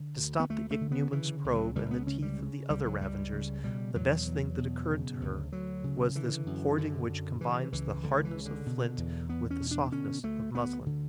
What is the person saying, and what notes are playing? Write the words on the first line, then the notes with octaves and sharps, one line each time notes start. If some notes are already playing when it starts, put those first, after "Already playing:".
To stop the Ichneumon's probe and the teeth of the other ravagers, the best thing that occurred to her was this hoarding which combines the hardness of flint with the softness of muslin.
Already playing: D3
D2
B3
D2 A3
A3
D3
B3
C#3 E3
C#2
F#3
C#2 G3
B3
C#3 C#4
G3
C#3
C#2 G3
F#3
C#2 G3
C#3
B2 G3
E2 F#3
E2
B2
C#3
D2
D2 F#3
C#3
D3 E3
F#2
F#2 D3
D3
C#3 E3
C#2 E3
C#2 D3
E3
C#3
D3
B2
E2
E2 B3
C#4
B2
D4
D3 C#4
D2 A3
D2 B3
D3